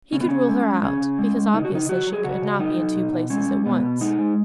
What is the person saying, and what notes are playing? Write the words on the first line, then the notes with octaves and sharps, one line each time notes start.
He could rule her out, because obviously she could not be in two places at once.
C#3 C#4
B3
C#3 C#4
G#3
G#3
C#3 C#4
C#3
G#3
G#3
C#3 D#4
F#4
C#3 D#4
F#3 F#4
F#3
G#4
C#3 F#4
C#3
F#3 D#4
F#3
B2
B2
G#3 C#4
G#3
B2 B3
B2
G#3 D#4
G#3